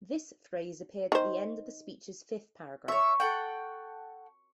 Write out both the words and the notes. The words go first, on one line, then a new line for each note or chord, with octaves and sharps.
This phrase appeared at the end of the speech's fifth paragraph.
D#3 C5
C#5 E5 C#6
A4 F#5 G5